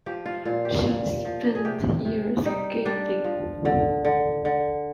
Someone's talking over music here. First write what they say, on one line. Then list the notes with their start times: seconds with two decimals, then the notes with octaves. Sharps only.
She's spent years gigging.
0.06 F3 G4
0.26 F4
0.45 A#2 F4
0.65 G4
0.86 A#2
1.25 F3
1.55 G#4
1.65 C3 G4
2.05 C3
2.46 G3 D#4
2.85 G3 D4
3.24 F3
3.65 D3
4.05 D3
4.45 D3